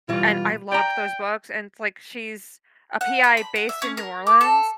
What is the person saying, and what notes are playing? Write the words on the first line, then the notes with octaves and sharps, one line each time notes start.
and I loved those books, and it's, like, she's a PI based in New Orleans
B2 E3 G3 F4
D5 G5 A#5
F#5
C5
B5
F#5
E5
C#4
A#4
D6
A4